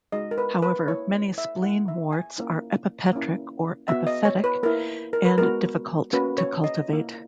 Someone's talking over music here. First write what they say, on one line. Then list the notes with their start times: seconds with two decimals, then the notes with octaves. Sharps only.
However, many spleenworts are epipetric or epiphytic and difficult to cultivate.
0.12 G#3 D#4 F#4 D#5
0.31 A#4
0.38 B4
0.62 B4
0.88 A#3 E4 C#5
1.38 E5
1.63 A#3 E4 F#5
1.88 E5
2.13 G#5
2.38 A#3 C#4 E4
3.13 A#3 C#4 E4
3.88 B3 F#4 E5
4.07 D#5
4.25 C#5
4.44 B4
4.63 A#3 E4 A#4
5.13 A#4
5.25 B4
5.38 G#3 B3 F#4 A#4
6.13 A#3 C#4 F#4 B4
6.38 C#5
6.64 D#5
6.88 A#3 E4